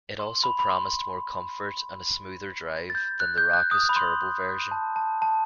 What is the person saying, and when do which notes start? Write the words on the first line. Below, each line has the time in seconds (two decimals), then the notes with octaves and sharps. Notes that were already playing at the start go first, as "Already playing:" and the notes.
It also promised more comfort and a smoother drive than the raucous turbo version.
0.19 C6
0.44 B5
0.59 B5
0.69 C6
2.90 A6
2.95 G6
3.20 F#6
3.38 G6
3.53 F#6
3.71 D#6
3.89 B5
3.96 C6
4.71 A5
4.96 A5
5.22 A5